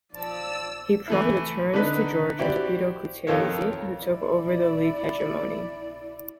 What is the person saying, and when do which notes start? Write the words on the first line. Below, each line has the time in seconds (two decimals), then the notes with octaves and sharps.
He promptly returned to Georgia and Torpedo Kutaisi, who took over the league hegemony.
0.14 F3 D5 A5 E6
1.08 E3 A3 E4
1.73 D3 D4 D#4 B4
2.39 E4 F#4 G4 C5 D5
3.27 F2 D#3 F4 A4 A#4 C#5
4.02 E4 D5